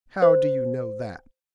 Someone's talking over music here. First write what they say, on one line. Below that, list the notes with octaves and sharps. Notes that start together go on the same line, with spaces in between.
"How do you know that?"
C5